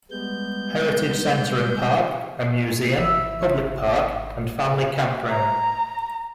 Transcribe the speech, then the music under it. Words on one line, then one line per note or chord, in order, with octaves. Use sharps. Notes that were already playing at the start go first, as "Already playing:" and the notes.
Heritage Centre and Park, a museum, public park, and family campground.
G3 G#3 B3 G6
G#1 E4 E5
A#5